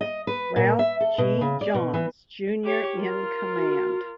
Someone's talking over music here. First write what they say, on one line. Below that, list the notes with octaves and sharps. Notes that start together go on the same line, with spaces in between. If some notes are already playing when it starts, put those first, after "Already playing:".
Ralph G. Johns, Junior in command.
D#5
B4
A#2
E5
A4
B2
C#3
D5
B2
E3
G4 C#5
F4 A#4
F#4